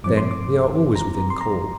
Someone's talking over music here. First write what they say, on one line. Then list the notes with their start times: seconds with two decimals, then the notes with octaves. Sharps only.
Then, we are always within call.
0.04 G2 F3 C4 D6
0.17 C6
0.31 D6
0.96 A#5
1.30 C6
1.41 A#5